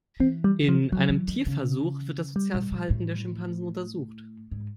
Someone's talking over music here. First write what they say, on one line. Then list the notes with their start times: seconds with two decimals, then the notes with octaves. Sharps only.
In einem Tierversuch wird das Sozialverhalten der Schimpansen untersucht.
0.20 E3 C4
0.44 G3
0.69 F3
0.92 F3 F#3
1.10 E3
1.28 D#3
1.46 C#3
2.36 G3
2.54 A#2
2.72 A#2
2.90 A2
4.52 G#2